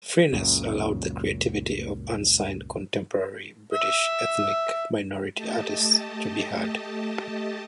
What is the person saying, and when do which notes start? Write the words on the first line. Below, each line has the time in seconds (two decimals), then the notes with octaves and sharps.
Freeness allowed the creativity of unsigned contemporary British ethnic minority artists to be heard.
0.33 C#2 F#2 A#2 C#3
3.74 E5
5.34 A3 G4 D#5 A5